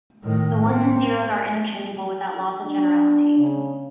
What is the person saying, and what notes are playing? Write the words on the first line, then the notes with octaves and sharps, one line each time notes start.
The ones and zeros are interchangeable without loss of generality.
A2 D#3
C4
D4
C#3